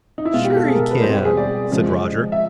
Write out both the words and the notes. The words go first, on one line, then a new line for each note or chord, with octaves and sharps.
"Sure you can," said Roger.
D#4
E4
B2 G#3 B3 F4
G4
A4
G#4
A#4
A4
B4
B2 G3 C4 C5
G4
G#4
D5
C#3 F3 G#3
E5